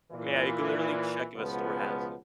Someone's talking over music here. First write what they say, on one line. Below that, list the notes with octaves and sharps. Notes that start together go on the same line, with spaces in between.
Yeah, you can literally check if a store has it.
A#2 E3
C#2 B2 F3 B3